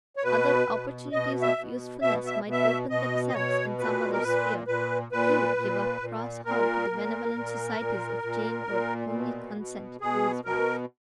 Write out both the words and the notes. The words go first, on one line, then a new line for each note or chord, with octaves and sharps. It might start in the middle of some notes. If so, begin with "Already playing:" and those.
Other opportunities of usefulness might open themselves in some other sphere; he would give up Cross Hall to the benevolent societies if Jane would only consent to be his wife.
C#5
B2 B4
B2
B2 D#5
E5
B2
B2 E5
E5
B2
E5
B2 D#5
D#5
B2 C#5
A#2 B4
A#4
A#2 B4
A#2 B4
A#2 B4
A#2
A#2
A#2 A#4
A#2
A#2
A#2
A#2
A#2
B2
B2
B2 G#4
B2 A#4